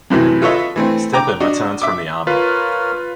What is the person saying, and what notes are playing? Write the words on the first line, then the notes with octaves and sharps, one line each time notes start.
Stepan returns from the army.
F#2 A2 C3 E3 F#3
F4 A4 B4 C#5 D#5 E5
E3 A3 C4
G5 A#5 D6
D4 F#4 D#5
E5 D6
F4 A#4 B4 C#5 F6